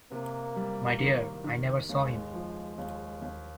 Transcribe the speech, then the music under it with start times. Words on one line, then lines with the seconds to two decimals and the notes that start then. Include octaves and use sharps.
My dear, I never saw him.
0.12 C3 A#3
0.56 G3
1.00 D#3
1.44 D#3
1.88 D#2 G#3
2.33 F3
2.78 D#2
3.22 D#2